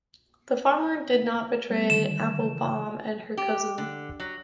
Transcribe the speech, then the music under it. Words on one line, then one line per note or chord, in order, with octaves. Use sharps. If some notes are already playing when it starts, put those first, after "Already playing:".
The farmer did not betray Applebaum and her cousin.
G3 B3
D3 D#3 G3 E7
C#3 E3
G4
D3
F#3